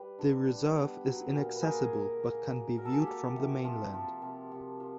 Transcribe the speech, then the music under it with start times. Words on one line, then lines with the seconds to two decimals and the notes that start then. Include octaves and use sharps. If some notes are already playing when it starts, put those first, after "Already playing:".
The reserve is inaccessible but can be viewed from the mainland.
Already playing: G3 B4
0.19 D3
0.48 G3
0.76 B3
1.05 F#3
1.34 A#2
1.56 B4
1.62 A#3 G#4 A#4
1.92 A#3
2.20 A#3
2.50 F#3
2.78 F#3 A#4
2.85 A4
2.92 G#4
2.99 G4 A4
3.07 A#3
3.36 C3
3.64 F3
3.93 F3
4.22 C3
4.52 C3
4.80 F3